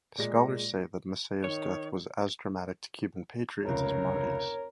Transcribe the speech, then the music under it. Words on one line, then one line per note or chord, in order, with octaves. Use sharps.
Scholars say that Maceo's death was as traumatic to Cuban patriots as Marti's.
A#2 G#3 A#6
D#3 C#5
F1 C#2 A#4 C#5